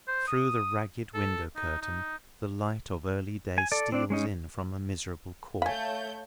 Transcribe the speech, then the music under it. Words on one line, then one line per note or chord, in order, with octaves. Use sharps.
Through the ragged window-curtain, the light of early day steals in from a miserable court.
C5
D#6
A4
D#4
D#4
G#5
A4 D5
C4 D4 D5
G#3 C#4 D#4
A3 C#5 F5 G#5 B5 G6